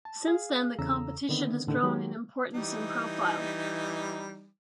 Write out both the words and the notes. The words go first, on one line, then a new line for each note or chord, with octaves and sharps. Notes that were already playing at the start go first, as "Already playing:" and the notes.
Since then the competition has grown in importance and profile.
A5
G#4 F5
E2 C#3 A4 A#5 E6
D3 D#3 B3 C4
A2 D3 D#3 A4
D#3 F#3 G#3 G4
E3 G3 D#4